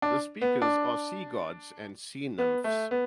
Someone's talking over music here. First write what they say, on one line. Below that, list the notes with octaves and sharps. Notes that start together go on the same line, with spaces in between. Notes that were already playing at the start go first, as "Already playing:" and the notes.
The speakers are sea-gods and sea-nymphs.
D4
B3
D4
B3
A3
B3